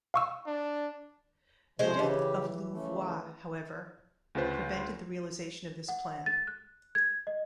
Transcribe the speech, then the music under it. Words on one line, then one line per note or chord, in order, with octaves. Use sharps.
The death of Louvois, however, prevented the realization of this plan.
F5 C#6 E6
D4
C3 F3 G#3 A3 C5
C#3 E3 G4
C#3 A3
D2 C#3 F4 B4 C5
F#5
A6
F#6
G#6
D#5